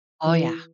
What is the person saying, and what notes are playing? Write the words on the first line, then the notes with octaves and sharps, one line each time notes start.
Oh, yeah.
E3